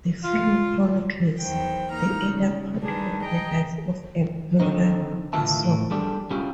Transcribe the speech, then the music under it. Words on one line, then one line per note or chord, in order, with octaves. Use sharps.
The film chronicles the early part of the life of Emperor Asoka.
F4
E2 D#3 F#3 C5 G5
A#3 D#4 A#5 F6
C#3
D#3 G3 D4 G#4 B4
G#4 D#5 G5 A#5
D3 D#3 C4 D#4
A2 D#3 F4 B4 E5 A5
A2
G3 D4 G#4 A4 D5
G3 C#4 E4 F4 G4 G#4